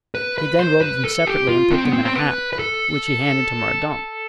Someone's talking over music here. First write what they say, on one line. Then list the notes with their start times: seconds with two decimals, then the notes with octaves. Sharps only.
He then rolled them separately and put them in a hat, which he handed to Mordaunt.
0.15 B4
0.38 B4
0.60 C5
0.81 B4
1.04 A4
1.26 G4
1.49 F4
1.71 C4
1.86 B3
1.93 C4
2.06 C5
2.15 B4
2.53 B4
2.59 A4